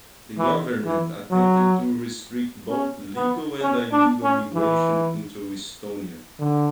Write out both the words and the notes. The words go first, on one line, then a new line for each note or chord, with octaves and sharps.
The government attempted to restrict both legal and illegal migration into Estonia.
E3
E3
F#3
C#4
B3
C#4
D4
C#4
E3
D3